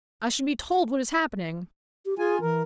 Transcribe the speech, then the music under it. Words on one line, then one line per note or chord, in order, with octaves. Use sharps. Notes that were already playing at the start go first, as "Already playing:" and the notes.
"I should be told what is happening."
G4
F4 G#4 G#5
E3 A#4